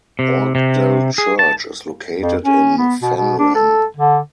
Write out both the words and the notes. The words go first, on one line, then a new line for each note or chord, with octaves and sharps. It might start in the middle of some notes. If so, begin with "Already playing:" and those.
Orkdal Church is located in Fannrem.
C3
C3
G#4
A5
F2
C#4
B3
B2
B2
D4
A4
D3